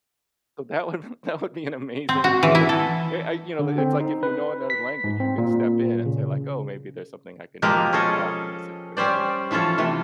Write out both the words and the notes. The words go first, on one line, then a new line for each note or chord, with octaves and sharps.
so that would that would be an amazing ability. Eh, I you know, it's, like, if you know another language, you can step in and say, like, "Oh, maybe there's something I can do w to help in this situation."
C4
F#4
E3
E4
A4
D3
C4
D#4
B4
B6
G#2
C4
A#2
C#3
B2 F3 G#3 A#3 G4 A#4
C#4 G#4 A4 D#5
G3 C#4 C5 D5
E3 F3 C#4 F4 A4
C3 E3 A3